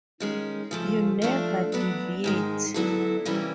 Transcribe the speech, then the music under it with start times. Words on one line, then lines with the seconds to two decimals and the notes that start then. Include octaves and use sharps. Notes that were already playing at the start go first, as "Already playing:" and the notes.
You never deviate.
0.20 D#3 G#3 C#4
0.71 C#3 F3 A3
1.22 F3 A3 D4
1.72 F#3 B3 D4
2.24 G#2 D#3 G#3
2.74 D3 F#3 B3 E4 A4
3.25 C3 E3 G3 A#3 C#4